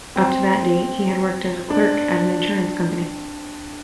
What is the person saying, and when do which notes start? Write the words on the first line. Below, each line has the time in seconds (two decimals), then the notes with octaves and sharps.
Up to that date, he had worked as a clerk at an insurance company.
0.16 C4
1.70 D4